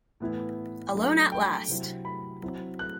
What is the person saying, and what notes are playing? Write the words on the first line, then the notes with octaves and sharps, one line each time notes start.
Alone at last!
A2 E3 B3 E4
F#3 A3 D4
G5
C3 F#3 C4 E4
B5
F#3 C4 E4
F#6